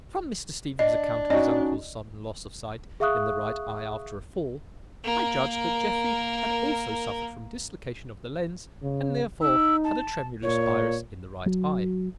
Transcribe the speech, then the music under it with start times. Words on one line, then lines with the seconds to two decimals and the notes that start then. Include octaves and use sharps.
But from Mr. Stephen's account of his uncle's sudden loss of sight in the right eye after a fall, I judged that Jeffrey had also suffered from dislocation of the lens and therefore had a tremulous iris in the right eye.
0.79 D4 D#5
1.30 C#4 D#4 F#4 D5 D#5
3.00 G#4 E5 F5 C#6 D#6 F#6
5.04 A#3 A#4
8.83 C#3
9.42 D#4 E6
9.84 A5
10.43 A#2 C#5
11.46 F#3